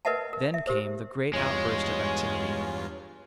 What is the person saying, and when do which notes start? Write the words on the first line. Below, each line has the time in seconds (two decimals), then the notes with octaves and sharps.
Then came the great outburst of activity.
0.05 A#4 B4 D#5 E5 F#5 A5
0.33 A#4
0.54 E5
0.67 G4 A#4 C5
1.33 E2 G2 G#3 F4 C#5